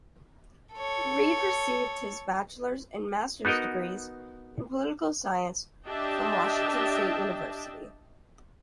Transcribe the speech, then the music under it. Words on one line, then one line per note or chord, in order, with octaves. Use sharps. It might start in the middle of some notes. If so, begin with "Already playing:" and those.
Reed received his bachelor's and master's degrees in political science from Washington State University.
A4 C#5
B3 D#4 F#4 A#4 D#5
D4 G4 D#5 E5 G5 A5